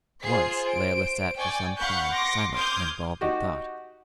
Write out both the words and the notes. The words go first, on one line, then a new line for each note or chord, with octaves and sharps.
Once Layelah sat for some time silent and involved in thought.
F4 G#4 C5 C7
C5 D7
D5 G5 G#5 C#6
F5 F#5 B5 C#6 F#6 G6
C6 D6 A#6 C#7
C6 D6 D#6 F6 G6 G#6
D#4 F#4 G4